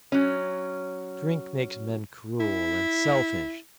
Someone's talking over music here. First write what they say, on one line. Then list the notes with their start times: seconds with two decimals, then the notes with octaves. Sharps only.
Drink makes men cruel and selfish.
0.12 F#3 C#4
2.40 E4